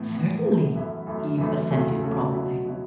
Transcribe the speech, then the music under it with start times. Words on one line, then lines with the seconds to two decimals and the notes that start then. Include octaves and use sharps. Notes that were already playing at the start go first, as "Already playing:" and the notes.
"Certainly!" Eve assented promptly.
Already playing: A2 E3 B3
0.11 A2 E3 B3
0.43 F#2 E3 B3 E4 A4
0.75 F#2 E3 B3 E4 A4
1.07 F#2 E3 A3
1.38 F#2 E3 A3
1.70 E2 C#3 A3 F#4 A4
2.02 E2 C#3 A3 F#4 A4
2.33 B2 F#3 B3 E4
2.65 B2 F#3 B3 E4